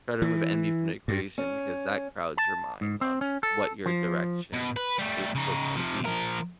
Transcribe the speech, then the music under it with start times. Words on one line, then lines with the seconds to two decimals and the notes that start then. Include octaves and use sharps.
Try to remove envy from the equation because that crowds your mind on what your direction is supposed to be
0.22 E3
1.08 G2
1.38 C#4
2.37 A5
2.81 G#2
3.01 C4
3.21 C#4
3.43 A4
3.86 F3
4.53 B2
4.77 B4
4.99 G3 A3
5.35 C#3 D#4
5.76 C3 F3
6.05 F3 A#4